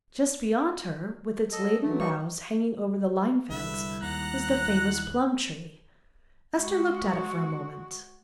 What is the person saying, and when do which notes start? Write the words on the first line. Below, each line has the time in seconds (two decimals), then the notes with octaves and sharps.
Just beyond her, with its laden boughs hanging over the line fence, was the famous plum tree. Esther looked at it for a moment.
1.52 F#3 A4 D#5
1.83 E3 F#3 A3
2.00 A#3 D#4 C#6
3.50 C2 D3 G3 G#3 E4 B4 E5
4.02 D#2 F#5 A#5 F#6
6.60 G#3 F#4